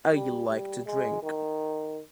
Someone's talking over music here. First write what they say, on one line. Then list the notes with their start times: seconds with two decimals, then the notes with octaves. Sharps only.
I like to drink.
0.11 G3
0.49 G3
0.86 G#3
1.23 D#3